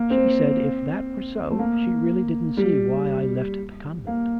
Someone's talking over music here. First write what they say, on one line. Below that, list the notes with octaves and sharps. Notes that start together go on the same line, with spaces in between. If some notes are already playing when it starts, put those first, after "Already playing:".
She said if that were so, she really didn't see why I left the convent.'
Already playing: A#3
C4
A3
A#3
G3
A#3